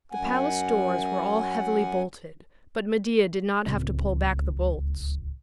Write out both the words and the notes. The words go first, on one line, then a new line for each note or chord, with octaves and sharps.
The palace doors were all heavily bolted, but Medea did not have to pull back the bolts.
F#2 F#5 G#5
D1 C#2